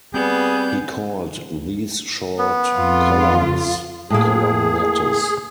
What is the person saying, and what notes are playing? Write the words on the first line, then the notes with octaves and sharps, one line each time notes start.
He called these short columns columnettes.
G3 B3 C4 G#4 G6
B3
F2 F4
A2 A#3 G#4